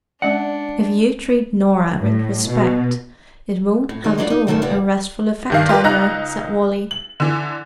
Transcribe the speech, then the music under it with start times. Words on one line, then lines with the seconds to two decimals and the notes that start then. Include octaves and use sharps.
"If you treat Norah with respect it won't have at all a restful effect on her," said Wally.
0.22 G#3 C#4 D4 D5 F#5
1.97 A2
2.48 B2
3.89 A2
4.04 D#3 F#3 G3 D#4 A4
4.18 E3 F#3 A3 D4 F4 D5
4.30 D#4
4.47 D#2 G#2 D#3 A3 A#3 A5
4.62 A2 C#3 E3 G3 B3
5.50 G2 D#3 F5
5.69 F4 G4 A#4 B4
5.84 C#2 D#4 A#5 F#6
6.91 F#7
7.20 D3 E3